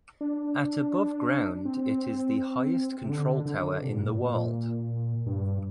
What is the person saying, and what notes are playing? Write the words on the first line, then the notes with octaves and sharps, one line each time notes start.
At above ground it is the highest control tower in the world.
D4
C4
C3
D3
D3
C3
A#2
G2
A#2
G2